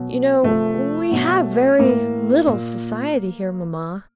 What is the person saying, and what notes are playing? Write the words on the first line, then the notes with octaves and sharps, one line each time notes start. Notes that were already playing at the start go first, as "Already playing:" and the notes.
'You know, we have very little society here, mamma.
Already playing: B2 F#3
C3 F3 A3
B2 F#3
A2 E3 A#3
A#2